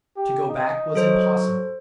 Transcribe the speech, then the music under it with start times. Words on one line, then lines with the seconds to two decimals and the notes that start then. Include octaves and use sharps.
To go back was impossible.
0.16 G4
0.49 D#4
0.95 F#3 A4 C5